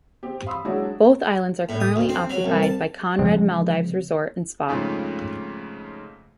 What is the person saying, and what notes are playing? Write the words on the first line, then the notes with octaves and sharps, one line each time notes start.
Both islands are currently occupied by Conrad Maldives Resort and Spa.
C4 G4
F5 B5 C6 D#6 E6
F#3 G#3 D4 E4 F#4 G#4
A2
D#6
D2
C4
F#3
C2
A5
C#3 F3 G#3 C4
F2 G#2 C#3 A3 F4